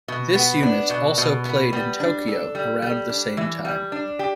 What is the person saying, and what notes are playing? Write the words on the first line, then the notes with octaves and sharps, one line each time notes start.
This unit also played in Tokyo around the same time.
B2
B3
D4
B2
B2
B3
G3
D4
A4
G3
G3
D4
E3
G3
D4
G4